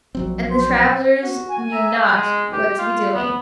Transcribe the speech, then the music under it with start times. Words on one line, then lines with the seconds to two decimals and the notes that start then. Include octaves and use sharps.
And the travellers knew not what to be doing.
0.15 A#1 F#3 C4
0.50 C5
1.22 F#4
1.49 G#5
1.72 E5 A#5
2.15 G#3
2.53 G4
2.79 F4
3.14 B3